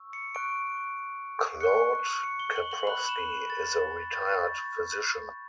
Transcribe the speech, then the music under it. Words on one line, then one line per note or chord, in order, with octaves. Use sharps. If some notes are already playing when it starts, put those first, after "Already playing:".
Claude Koprowski is a retired physician.
Already playing: C#6 E6
C#7
C#6 F#6 D7
C#6 F#6 C#7
C#7
G7
F#7
F#7
B5 F#6 F#7
E7
A6
C#6 G6 A6